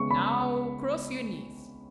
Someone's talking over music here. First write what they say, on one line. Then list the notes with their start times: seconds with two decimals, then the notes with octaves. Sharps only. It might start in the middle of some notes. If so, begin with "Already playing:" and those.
"Now cross your knees."
Already playing: C#3 G#3 B3 C#6
0.11 B5